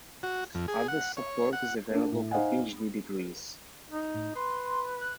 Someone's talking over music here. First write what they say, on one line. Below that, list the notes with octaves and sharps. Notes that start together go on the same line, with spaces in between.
Other support is available for PhD degrees.
F#4
F2
G#4
F#5
C#5
F#5
A#3 D4
A2
D#4 C5 D#5 F5 F#5 G#5
D#4
A2
B4 C6
F#6